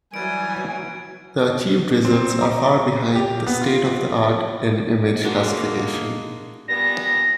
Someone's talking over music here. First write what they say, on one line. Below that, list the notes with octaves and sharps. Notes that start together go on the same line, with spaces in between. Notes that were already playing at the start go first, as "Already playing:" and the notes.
The achieved results are far behind the state-of-the-art in image classification.
E3 F#3 G3 G#5 G#6 D7
C4
A#5
G4
B3
F4
G#3 A#3 D4 F#4 D#5
A#2 G3 B3 A#6